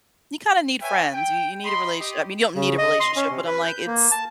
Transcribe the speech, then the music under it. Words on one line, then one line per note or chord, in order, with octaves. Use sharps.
"You kinda need friends. You you need a relatio" I mean, you don't need a relationship, but I'm like, "It's
B4 C#5 E5 G5 G#5
G5
D#5 B5 C6
G4 D#5
C#3
D#5
C6
C#4
C3
B4
G6
A#3
A5